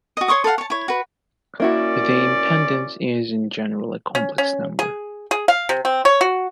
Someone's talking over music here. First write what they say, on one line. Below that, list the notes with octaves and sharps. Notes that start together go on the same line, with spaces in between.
The impedance is, in general, a complex number.
F#4 D#5
C#5 C6 C#6 D#6
A4 B4 F5 F#5
C#5 A5
E4 C#5
F#4 B4
A#3 C#4 E4 F#4 D5
C#4
C#4
G#4
G#4
F5
C3
C4
C#5
F#4